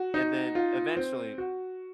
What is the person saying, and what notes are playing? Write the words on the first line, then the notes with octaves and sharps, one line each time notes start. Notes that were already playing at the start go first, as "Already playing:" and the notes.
and then, eventually,
Already playing: F#4
D#4
F4
C4
F#4